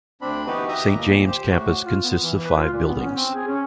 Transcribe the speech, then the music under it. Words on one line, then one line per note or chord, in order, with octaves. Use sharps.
Saint James campus consists of five buildings.
D2 C4 D4 B5
E3 B3 D#4 F#4 G4 B4
G4 D#5 E5 A#5 D#6
D#2 A#2
G4 C5
A2 F#4
F4
B3
E3
B4
F4
A#2
B3
C#4
C4
G#4
C#4